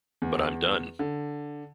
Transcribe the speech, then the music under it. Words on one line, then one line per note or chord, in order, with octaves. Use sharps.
But I'm done.
E2
D3